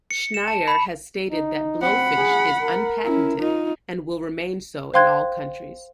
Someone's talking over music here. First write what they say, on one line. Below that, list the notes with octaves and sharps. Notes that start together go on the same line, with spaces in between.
Schneier has stated that, Blowfish is unpatented, and will remain so in all countries.
C#7
E7
A5
B5
D#4
C4 F#5 B5
G#4
A#4
C#4 E4
D#4 F4
C5 F5 G5 C6 F#6 G#6